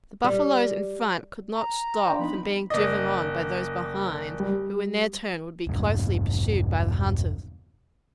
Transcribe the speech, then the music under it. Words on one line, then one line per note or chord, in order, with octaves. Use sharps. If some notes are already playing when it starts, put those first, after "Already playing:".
The buffaloes in front could not stop being driven on by those behind, who in their turn would be closely pursued by the hunters.
G3
A#5
D4 D5 F5 G5 C6
F3 B3 D#4 B5
F#1 D5 D#5
G3
E1 G2 B2